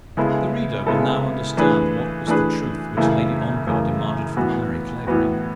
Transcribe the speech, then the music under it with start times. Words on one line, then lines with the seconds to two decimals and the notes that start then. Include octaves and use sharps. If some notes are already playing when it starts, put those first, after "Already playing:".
The reader will now understand what was the truth which Lady Ongar demanded from Harry Clavering.
0.17 C#3 G#3 B3 E4 A4
0.87 C#3 G#3 B3 E4 A4
1.57 E3 A3 D4 G#4 B4
2.27 E3 A3 D4 G#4 B4
2.97 F#2 C#3 E3 A3 E4
3.67 F#2 C#3 E3 A3 E4
4.36 A2 E3 B3 F#4
5.07 A2 E3 B3 F#4